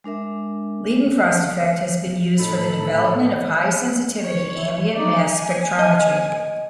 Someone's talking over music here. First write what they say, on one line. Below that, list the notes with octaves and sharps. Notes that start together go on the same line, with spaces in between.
Leidenfrost effect has been used for the development of high sensitivity ambient mass spectrometry.
G#3 D4 A#4 E5
A2 D#4 A4 B5
C#5
D#4 D5
G#5
D#5